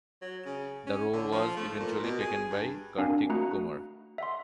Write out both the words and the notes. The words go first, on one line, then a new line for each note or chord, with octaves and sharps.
The role was eventually taken by Karthik Kumar.
F#3
C#3
C#4
D3
F3
A3
A#2
B2
G#4
G2
C4 D4 F#4 A#4 F5 G#5
A3 F#4 A#5 B5 F#6 C#7
E5 F#5 C6